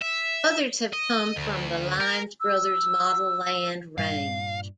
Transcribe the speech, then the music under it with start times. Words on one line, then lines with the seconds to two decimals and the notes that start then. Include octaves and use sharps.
Others have come from the Lines Brothers Model-Land range.
0.02 E5
0.93 D#5
1.36 D2
2.00 A#4
2.41 E6
3.98 G2 A#2 G3 F5